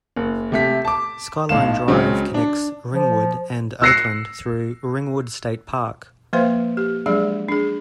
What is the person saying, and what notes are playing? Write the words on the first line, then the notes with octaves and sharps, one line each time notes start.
Skyline Drive connects Ringwood and Oakland through Ringwood State Park.
F#1
C3 A3 B6
A5 D6
B1 A2 F5 E7
C#2 C#3 F#3 C4
D4
F3
E6 F#6 A#6 C7 C#7
F3 A#3 B4 C5 F5 C6
G4
F3 F#3 G#3 D4 G#4 D5
D4 G#4